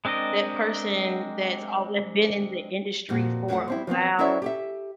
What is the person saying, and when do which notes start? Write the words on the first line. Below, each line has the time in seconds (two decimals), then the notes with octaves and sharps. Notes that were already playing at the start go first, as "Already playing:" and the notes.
that person that's al been in the industry for a while
0.05 G#3 C4 D4 A#4 D#5
3.09 F2 A#2 F#4
3.48 F2 F#3 A3 A4 F#5
3.68 G3 C4 E4
3.87 F3 F#3 B3 C4
4.19 C#4 E4 A4 C5 D5 E5
4.42 G4 A4 E5